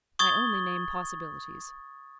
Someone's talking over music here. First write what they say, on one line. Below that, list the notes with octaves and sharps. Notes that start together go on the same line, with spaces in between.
I only name possibilities.
C#6 D#6 G#6 A6 G7